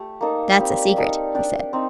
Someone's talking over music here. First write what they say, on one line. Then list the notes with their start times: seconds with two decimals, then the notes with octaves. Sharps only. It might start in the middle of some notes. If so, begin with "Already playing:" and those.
"That's a secret!" he said.
Already playing: A3 G4
0.21 A#3 D#4 A4
0.58 G3 C4 G4
0.96 D#4 A4 D5 F5
1.35 D4 G4 D5
1.73 C4 D#4